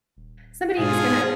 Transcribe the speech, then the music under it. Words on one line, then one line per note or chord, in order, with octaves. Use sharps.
somebody who's gonna
D#1
G#2 B2 F4 G#4 A4 C5